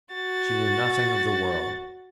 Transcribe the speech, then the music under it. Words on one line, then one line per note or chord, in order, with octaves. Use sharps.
She knew nothing of the world.
F#4 A6